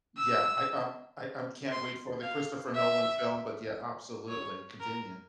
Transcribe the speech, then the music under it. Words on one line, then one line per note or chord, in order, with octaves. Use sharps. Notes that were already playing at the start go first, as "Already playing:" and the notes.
yeah, I um, I I'm can't wait for the Christopher Nolan film, but, yeah, absolutely, continue.
E6
C6
F5
E5
C#5
A#4